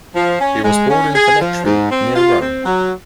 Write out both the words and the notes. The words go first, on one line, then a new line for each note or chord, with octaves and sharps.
He was born in Velletri, near Rome.
F3
C#4
G#3
C#4
G#4
F3
G#2
C4
F4
C4
F#3